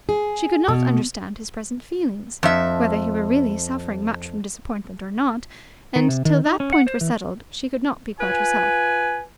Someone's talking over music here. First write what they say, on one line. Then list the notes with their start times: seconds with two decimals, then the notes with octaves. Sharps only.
She could not understand his present feelings, whether he were really suffering much from disappointment or not; and till that point were settled, she could not be quite herself.
0.09 G#4
0.68 B2
2.43 F2 E5
5.96 D#3
6.09 C3
6.25 D#3
6.46 D#4
6.60 C#4
6.73 F#5
6.87 C5
7.01 E3
8.20 F4 B4 G#5